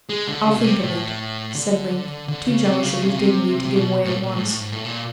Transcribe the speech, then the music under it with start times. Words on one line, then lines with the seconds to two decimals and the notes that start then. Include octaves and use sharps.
"I'll think of it," said Link, too jealous of his dignity to give way at once.
0.09 G#3
0.28 D3
0.46 C#3
0.56 B2
0.64 C3
0.82 A2
1.55 D3
2.28 D3
2.47 C#3
2.65 C3
2.83 C#3
3.02 C3
3.09 C#3
3.15 C3
3.65 C3
3.75 B2
4.04 A2
4.11 A#2
4.23 A#2
4.35 A2
4.42 G#2
4.48 A2
4.60 G#2
4.72 A2
4.85 A#2